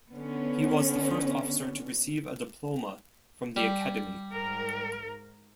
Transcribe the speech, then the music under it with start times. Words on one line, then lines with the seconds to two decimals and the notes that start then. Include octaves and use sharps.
He was the first officer to receive a diploma from the Academy.
0.13 D3 B3 C#4
3.57 G3
4.32 G#2 A#4